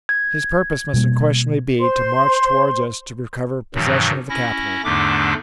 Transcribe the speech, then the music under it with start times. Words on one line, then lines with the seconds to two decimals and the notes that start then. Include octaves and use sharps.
His purpose must unquestionably be to march towards us to recover possession of the capital.
0.09 G#6
0.94 B2 G3 A#3
1.79 C5 C6
3.75 G2 B2 D#3 E3 F#3
4.29 C#4 E4 A#6
4.84 E2 G#2 D3 A3 D4 D6